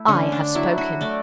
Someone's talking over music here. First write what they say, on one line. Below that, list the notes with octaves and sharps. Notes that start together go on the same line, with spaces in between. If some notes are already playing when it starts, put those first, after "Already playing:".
I have spoken.'
Already playing: A3 E4
D3 C#4
D4
F#3 E4
F#4
A3 D5